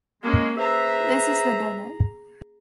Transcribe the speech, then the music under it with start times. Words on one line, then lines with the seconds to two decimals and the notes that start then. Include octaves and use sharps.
This is the donut.
0.22 G#3 A#3 C#4
0.58 G#4 B4 C5 E5 A#5